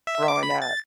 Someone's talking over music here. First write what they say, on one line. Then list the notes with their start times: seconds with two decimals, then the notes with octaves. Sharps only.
growing up.
0.07 E5
0.28 D6
0.43 B5
0.62 A6